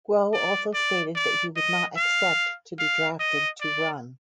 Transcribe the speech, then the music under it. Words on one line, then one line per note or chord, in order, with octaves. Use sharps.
Guo also stated that he would not accept to be drafted to run.
D5
D5
D5
D#5
F5
F5
D#5
D5